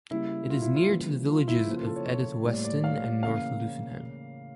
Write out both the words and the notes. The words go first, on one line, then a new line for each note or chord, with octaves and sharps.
It is near to the villages of Edith Weston and North Luffenham.
C#3 G3 A#3 E4
F4
E4
F4
C#3 E3 G3 A#3
F4
E4
C#3 F3 A#3
F4
A4
C#5
C#5
A2 G3 A#3 D5
D5
F5
C#3 E3 A#3 F5